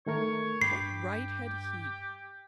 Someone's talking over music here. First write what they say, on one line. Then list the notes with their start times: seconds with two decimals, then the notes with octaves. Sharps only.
What right had he?
0.06 D#3 A3 A#4 C#5
0.61 G2 G4 B5 C7